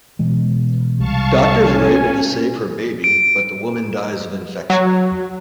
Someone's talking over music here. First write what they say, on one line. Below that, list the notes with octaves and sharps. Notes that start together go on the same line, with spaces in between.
Doctors are able to save her baby, but the woman dies of infection.
B2 E3 G#3
C2 G3 G#3 F5 A5 C#6
C#4 G#5
D7
F#3